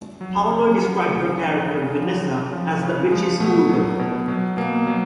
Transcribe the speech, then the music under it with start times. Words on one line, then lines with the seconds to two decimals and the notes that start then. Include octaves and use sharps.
Palmer described her character, Vanessa, as "the bitchy schoolgirl".
0.21 F#3
0.50 C#3
0.78 F#3
1.08 C#3 A3
1.37 F3 C#4
1.65 C#3 D4
1.96 F3
2.24 C#3
2.53 F3
2.82 C#3 C#4
3.11 F3 G#3
3.40 B2 A3
3.69 F#3
3.99 B2
4.28 F#3
4.57 B2 A#3
4.87 F#3